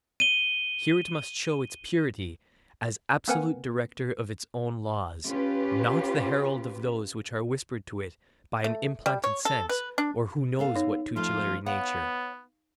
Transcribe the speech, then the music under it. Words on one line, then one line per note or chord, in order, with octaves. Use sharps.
Here it must show its purity as absolute director of its own laws, not the herald of those which are whispered to it by an implanted sense or who knows what tutelary nature.
D#7 G7
A#3 C4 A#4 B4 F#5 G#5
C#4 F4 G4 B4
A3
G3
C#5
A4
B4
D4
B3 A4 F5
D#4 C#5
F2 F3 A3 F4
B3 C#5 F5 F#5